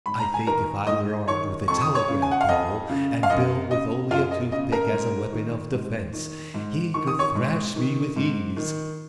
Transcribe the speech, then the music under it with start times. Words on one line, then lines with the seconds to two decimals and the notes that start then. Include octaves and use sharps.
I think if I were armed with a telegraph pole and Bill with only a tooth-pick as a weapon of defense he could thrash me with ease.
0.06 G#2 B5
0.19 A#5
0.34 G#5
0.46 D#3 A#4 A#5
0.87 G#2 D#5 D#6
1.28 D#3 C#5 C#6
1.68 F2 C#6
1.81 D#6
1.95 C#5 C#6
2.08 C#3
2.22 G#5
2.31 F#5
2.41 F5
2.49 F2 D#5
2.90 C#3
3.23 F5
3.30 F#2 D#5
3.71 C#3 D#5
4.11 F#2 F4 F5
4.31 D#5
4.52 C#3 D#5
4.72 A#4 A#5
4.92 G#2
5.33 D#3
5.73 G#2
6.13 D#3
6.54 G#2
6.94 D#3 C#6
7.07 D#6
7.19 C#5 C#6
7.35 G#2
7.76 D#3
8.16 G#2
8.57 D#3